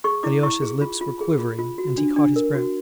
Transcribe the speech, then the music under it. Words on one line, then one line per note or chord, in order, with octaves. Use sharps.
Alyosha's lips were quivering and he caught his breath.
G#4 C#6
E4 D6
E4 C#6
G#4
F4
F4
G#4
F4
F4
F#4
D4
D4
A#4
F#4